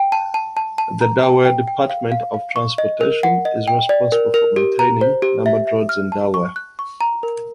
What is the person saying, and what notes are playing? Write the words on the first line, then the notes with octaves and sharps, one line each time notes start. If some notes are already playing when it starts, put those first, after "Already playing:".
The Delaware Department of Transportation is responsible for maintaining numbered roads in Delaware.
Already playing: G5
A5
A5
A5
A5
A#5
G5
G5
G5
F5
F5
F5
C#6
D#5
A#4
F#5
D#5
G5
D5
A#4
A#4
G4
A#5
C5
G4
E5
E5
F6
A5
C#6
F#6
C#6
A#5
A#4